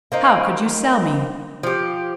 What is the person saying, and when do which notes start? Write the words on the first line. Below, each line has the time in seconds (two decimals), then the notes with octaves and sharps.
How could you sell me?
0.12 A#3 C4 D#4
1.63 F3 G4